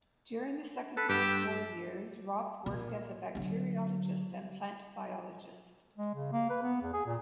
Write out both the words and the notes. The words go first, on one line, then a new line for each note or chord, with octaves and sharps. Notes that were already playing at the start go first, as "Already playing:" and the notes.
During the Second World War years, Ropp worked as a bacteriologist and plant biologist.
A4 B4
G2 G4 E6
A#2
D3 F#3
G#3
C#3
A#3
B4
B3
E2
G#4
A#2